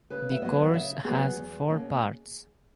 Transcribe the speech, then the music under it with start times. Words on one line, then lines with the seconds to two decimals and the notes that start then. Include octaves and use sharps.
The course has four parts.
0.10 C#3 B4
0.32 E5
0.42 F#3 B3 D#5
0.74 C#3 E5
1.04 F#3 B3 G#4
1.36 E2
1.68 B2 A#3 C#4